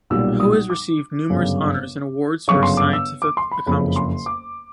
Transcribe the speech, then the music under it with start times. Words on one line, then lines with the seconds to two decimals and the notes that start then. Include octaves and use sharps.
Ho has received numerous honors and awards for his scientific accomplishments.
0.10 B1 A#2 G3 E6
0.40 D#6
0.70 D6
1.30 G1 F#2 C#3
2.48 G1 F#2 C#3 C#6
2.63 C6
2.77 D6
2.93 E6
3.22 D6
3.37 C6
3.51 B5
3.66 F#1 F2 C#3 B5
3.96 C6
4.26 D6